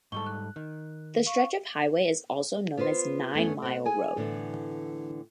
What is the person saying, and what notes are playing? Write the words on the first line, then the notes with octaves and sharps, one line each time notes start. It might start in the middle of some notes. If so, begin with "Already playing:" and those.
This stretch of highway is also known as Nine Mile Road.
G#2 G3 A4 C#6 G7
F#6
D#3
F5 C#6
B3 F4 B4 C5
F#2 A3 B3 C#4
C4 F#5
G#4 G#5
A2 D3 E3 B3